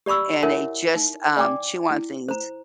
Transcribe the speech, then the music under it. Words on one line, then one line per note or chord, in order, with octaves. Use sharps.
and they just, um, chew on things,
G4 D5 B5 C#6 E6
E4 A#4 C#5 E5 F#5 G#5
D#4
D5 G5 G#5 D6
E4
C5 A#5